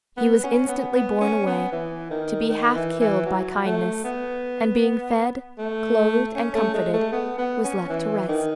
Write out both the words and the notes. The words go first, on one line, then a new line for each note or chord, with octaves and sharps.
He was instantly borne away, to be half killed by kindness, and being fed, clothed, and comforted, was left to rest.
B3
C#4
B3
B3
C#4
B3
E3
D#3
D#3
E3
E3
F#3
A3
B3
A3
C#4
A3
G#3
A3
B3
B3
C#4
E3
D#3